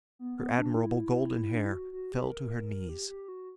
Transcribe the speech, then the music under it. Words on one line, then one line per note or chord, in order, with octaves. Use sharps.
Her admirable golden hair fell to her knees.
B3
B3
D4
E4
D4
E4
F#4
F#4
G4
A#4
G4
G4
F#4